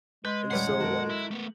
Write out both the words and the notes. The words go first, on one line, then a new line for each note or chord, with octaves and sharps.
and so, like,
G#3 B4 G6
D#1 G3 B4 C#5 F#5 C7
G1 F3 G#4
F#2 D#3 F#4 A4 A#4
E4
A3 B3